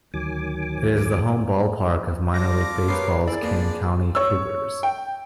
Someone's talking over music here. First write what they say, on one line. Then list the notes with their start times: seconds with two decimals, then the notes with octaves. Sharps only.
It is the home ballpark of Minor League Baseball's Kane County Cougars.
0.14 D2 D#3 F#3 G#5 D6
2.34 G3 F4 A4 D6 A#6
2.88 B3 G4 A#4 B4 C#5 C7
3.27 E4 G#4 D5
3.42 F3 A#3 B3 D4
4.15 C#5 E6
4.83 G5